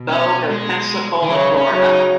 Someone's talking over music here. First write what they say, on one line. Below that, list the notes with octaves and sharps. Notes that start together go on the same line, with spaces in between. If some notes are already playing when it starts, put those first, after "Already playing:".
Bogue of Pensacola, Florida.
Already playing: B2
C#4
G#3
D#3
C#3 F#3
C#4
C#3 F#3
D#4